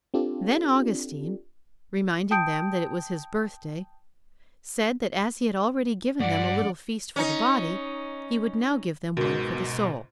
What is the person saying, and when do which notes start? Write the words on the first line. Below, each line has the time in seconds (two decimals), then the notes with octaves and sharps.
Then Augustine, reminding them that it was his birthday, said that as he had already given them a little feast for the body, he would now give them one for the soul.
0.14 C4 D4 F4 G4 A4 D5
2.31 G5 A5 D#6 G6 D7
6.20 G2 D5 F#5
7.16 C#4 D#4
9.17 C#2 G#2 B2 F#4 A#4